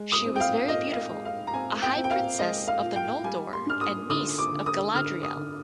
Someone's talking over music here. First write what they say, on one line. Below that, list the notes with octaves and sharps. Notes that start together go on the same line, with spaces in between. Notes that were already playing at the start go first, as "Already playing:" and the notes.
She was very beautiful, a high princess of the Noldor and niece of Galadriel.
Already playing: G#3
D#6
C4
G5
F5
A#2 D#5
F5
D#5
G#3
F5
A#5
C4 G#5
G5
C4
G5
F5
G#3 D#5
F5
A#2
G5
G3 G#5
C6
D4 F6
D#6
D3 D#6
D6
D3
D#6
D3 F6
D#6
D3